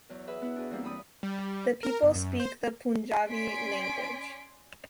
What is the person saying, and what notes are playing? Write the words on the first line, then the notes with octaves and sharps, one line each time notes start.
The people speak the Punjabi language.
E2 F#3
G#4 B4 E5
B3 E4
D4 F#4 G#4
E3 F#3 G3 A#3 C4
E2 G3 B5 D#6
G3
A#4
G1
F#2
C5
C#4 D5 G#5 C6 B6 D7